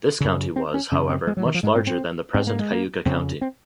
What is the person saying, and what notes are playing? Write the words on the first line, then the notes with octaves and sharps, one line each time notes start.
This county was, however, much larger than the present Cayuga County.
F#2 C#3
C4
C#4
F#2 C#3 C#4
C4
G#3
F#3
D#3
F3
G#2 G#3
C4
C4
G#2 C4
A#3
G#3
A#3
F2 C#3 C4
C4